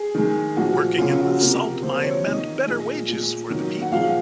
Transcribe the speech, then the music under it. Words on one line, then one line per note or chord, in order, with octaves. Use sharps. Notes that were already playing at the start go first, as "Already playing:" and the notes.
Working in the salt-mine meant better wages for the people.
Already playing: G#4
D#3 G#3
A#2 F3 G#3 F#4
C#3 F3 A#3 F4
F#4
C3 F3 A#3 A#4
C3 F3 A#3 C5
C#5
D#3 A#3 D#5
A#2 G#3
A#2 G#3
D#3 F#3 A#3
F#5
A#2 F3 G#3 F5